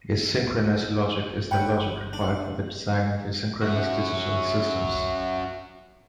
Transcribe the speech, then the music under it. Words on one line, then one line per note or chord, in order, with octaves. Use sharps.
Asynchronous logic is the logic required for the design of asynchronous digital systems.
G1 G2 C#5 F#5 G5 B5
D4
C#4 F#4 E5